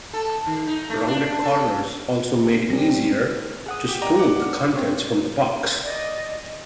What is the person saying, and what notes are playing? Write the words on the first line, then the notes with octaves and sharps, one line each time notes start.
Rounded corners also made it easier to spoon the contents from the box.
A4
D#3
D#4
A3
D4
A4
G3 C4 C#4 A#6
G#4 F#5 D#6
G4
D5 D#5 G5 A#5
F#5 D6
C4 C#5
D5 D#5